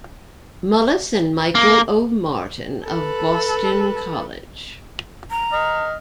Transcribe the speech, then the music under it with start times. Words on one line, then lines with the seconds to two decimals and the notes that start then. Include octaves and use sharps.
Mullis and Michael O. Martin of Boston College.
1.55 A#3
2.84 A4 B4
5.31 A#5
5.53 D#5 F6